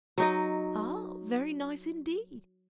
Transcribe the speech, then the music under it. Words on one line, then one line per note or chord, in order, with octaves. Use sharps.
Ah! very nice indeed.
F#3 D#4 D#5